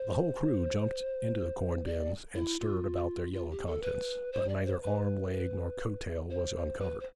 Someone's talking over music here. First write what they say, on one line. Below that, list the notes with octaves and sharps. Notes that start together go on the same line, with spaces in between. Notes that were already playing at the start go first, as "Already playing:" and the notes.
The whole crew jumped into the corn-bins, and stirred about their yellow contents; but neither arm, leg, nor coat-tail was uncovered.
Already playing: C5
D5
E4
F4
F4
G4
A4
B4
C5
D5
C5
B4
B4
C5
B4
C5